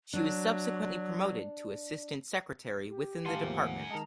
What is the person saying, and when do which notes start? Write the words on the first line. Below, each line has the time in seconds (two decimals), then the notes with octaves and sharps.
She was subsequently promoted to assistant secretary within the Department.
0.13 F#3 D4
2.89 G4
3.26 A2 D#3 G3 F5 F#5 G#5 A5 C6
3.43 E2 F3 A#3
3.90 D#3 G#3 G#4 A5 A#5